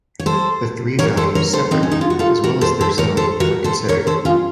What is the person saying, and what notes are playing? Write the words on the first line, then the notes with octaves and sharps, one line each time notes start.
The three values separately as well as their sum are considered.
C#5
A4 C5
A#4 C#5
A4 C5
A#4 C#5
A4 C5
C4 D#4
C#4
D#4
F4
F#4
F4 A4
F#4 A#4
A4 C5
A4 C5
A#4 C#5
A4 C5
F#4 A#4
A4 C5
A#4 C#5
A4 C5
C#4 F4